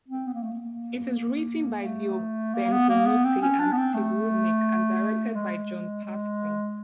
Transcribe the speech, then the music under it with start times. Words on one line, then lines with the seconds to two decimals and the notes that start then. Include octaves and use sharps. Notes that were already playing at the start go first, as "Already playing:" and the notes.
It is written by Leo Benvenuti and Steve Rudnick and directed by John Pasquin.
0.09 C4
0.27 B3
0.34 A#3
0.43 A3
0.52 A#3
1.84 A3
2.55 A#3
2.72 B3
2.89 A#3
3.06 B3
3.25 C4
3.42 C#4
3.60 D4
3.73 B3
3.78 C4
3.95 A3
5.35 G#3
6.05 G#3